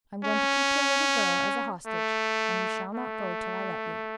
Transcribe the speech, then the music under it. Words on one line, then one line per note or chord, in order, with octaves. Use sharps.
I'm going to keep your little girl as a hostage, and you shall not go till I let you.
C#4
A3
A3